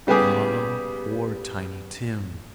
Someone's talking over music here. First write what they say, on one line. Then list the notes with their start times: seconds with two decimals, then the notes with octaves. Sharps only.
Ah, poor Tiny Tim!
0.07 C#3 G3 B3 G4 G#4